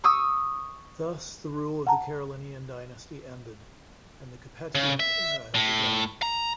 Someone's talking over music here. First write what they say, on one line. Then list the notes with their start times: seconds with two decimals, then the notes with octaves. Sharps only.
Thus the rule of the Carolingian dynasty ended and the Capetian era had begun.
0.04 C#6 D#6 E6
1.87 F#5 A5 A#5
4.75 C#3
5.00 E5
5.55 A2
6.22 A#5